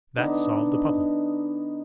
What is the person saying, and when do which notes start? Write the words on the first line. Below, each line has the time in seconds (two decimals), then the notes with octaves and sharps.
That solved the problem!
0.17 D3 B3 D4 D#4